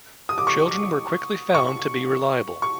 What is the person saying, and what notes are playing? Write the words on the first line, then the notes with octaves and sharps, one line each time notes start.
Children were quickly found to be reliable.
D#6
D6
C#6
C#6
C#6